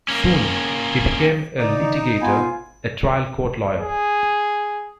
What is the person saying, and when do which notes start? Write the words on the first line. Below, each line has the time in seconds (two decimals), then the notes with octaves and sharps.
Soon, he became a litigator, a trial court lawyer.
0.08 A#3 C#4
1.58 C#3 D#4 D5
2.21 B3 F4 F5 G#5
3.78 G#4